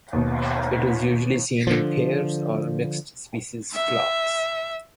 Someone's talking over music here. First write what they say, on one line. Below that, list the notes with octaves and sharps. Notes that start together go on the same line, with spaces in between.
It is usually seen in pairs or mixed-species flocks.
D#2 B2
D3 F3
E5